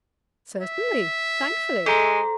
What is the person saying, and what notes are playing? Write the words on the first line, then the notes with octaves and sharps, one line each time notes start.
'Certainly; thankfully.
E5
G#3 A4 C5 A#5 C6